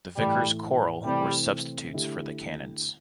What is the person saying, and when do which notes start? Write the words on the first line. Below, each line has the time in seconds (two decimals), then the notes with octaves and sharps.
The vicars choral were substitutes for the canons.
0.16 A2 E3 G3 A3 E4
1.05 C3 E3 G3 A3 C4
1.93 D3 A3 E4 G4